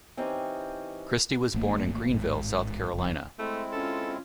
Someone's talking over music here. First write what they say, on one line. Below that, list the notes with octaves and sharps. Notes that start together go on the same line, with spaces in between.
Christie was born in Greenville, South Carolina.
E3 C4 C#4 D#4 G4
G#1 A3 A#3
A1 G#2
F#1 F2
G#3 A3 C4 E4
C#4 F4 A4